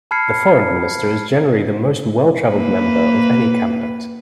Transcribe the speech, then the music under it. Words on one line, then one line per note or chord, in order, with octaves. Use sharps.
The foreign minister is generally the most well-traveled member of any cabinet.
A5 B5 F6 G#6 C7 C#7
A#3 B4